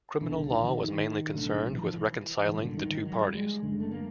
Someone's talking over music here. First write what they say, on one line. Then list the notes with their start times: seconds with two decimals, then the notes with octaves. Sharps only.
Criminal law was mainly concerned with reconciling the two parties.
0.21 C2 B2 D3
0.50 D#3
0.59 E3
0.69 D#3
0.76 E3
0.83 D#3
1.34 B1 A2 D3
1.73 E3
1.83 F3
1.92 E3
2.48 G#1 G2 D3 D#3
2.63 D3
2.77 D#3
3.05 F#3
3.21 G3
3.34 G#3
3.62 F#1 F#2 D3 G#3
3.80 A3
3.91 A#3